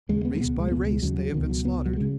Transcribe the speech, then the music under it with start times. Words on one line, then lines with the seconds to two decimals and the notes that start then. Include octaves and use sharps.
Race by race they have been slaughtered.
0.09 D#2 C#3 G#3
0.25 B3
0.35 G#3
0.41 C#2 B2 B3
0.60 G#3
0.72 C#2 B2 B3
0.87 G#3
1.02 D#2 C#3 F#3
1.18 F#3
1.34 C#2 B2 D#3
1.50 F#3
1.65 C#2 B2 B3
1.86 F#3
1.97 C#3 G#3